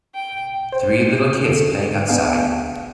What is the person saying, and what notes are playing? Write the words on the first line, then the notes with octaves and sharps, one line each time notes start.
Three little kids playing outside.
G5
C5
D3 A4 D7
B3 D4 G#4 F5